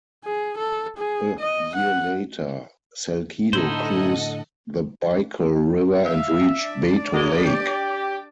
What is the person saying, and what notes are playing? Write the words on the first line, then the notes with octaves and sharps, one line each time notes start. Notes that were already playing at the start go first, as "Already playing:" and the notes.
A year later, Salcedo cruised the Bicol River and reached Bato Lake.
G#4
A4
G#4
D#5
F#5
A2 D3 D#4 E4 A4 C5 D#5 F#5
E5 F5
D4 D5
G#3 A#3
G4